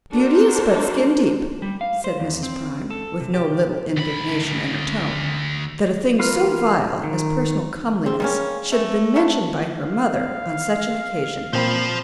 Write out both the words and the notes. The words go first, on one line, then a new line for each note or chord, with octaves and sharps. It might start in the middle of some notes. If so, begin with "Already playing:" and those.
"Beauty is but skin deep," said Mrs. Prime, with no little indignation in her tone, that a thing so vile as personal comeliness should have been mentioned by her mother on such an occasion.
D4 F#4 A4 A#4 C5
G3
F5
C5
E2
C4
A4
C3
G4
D2 B5
E3 F4 A#4 B4 F6
D#3
C4 G#4
G3 A#3 C#4
A3
C3 E5 F#5 A5 C#6
F5
A#2 C4 C5 A5 B5